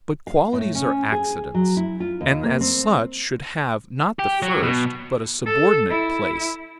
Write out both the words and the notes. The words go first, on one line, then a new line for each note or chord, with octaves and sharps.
But qualities are accidents, and as such should have, not the first, but a subordinate place.
F5
A2
C#4
G#4
F#3
E4
F4
D#2
A#3
C4
G4
F#3
B2
A4
E4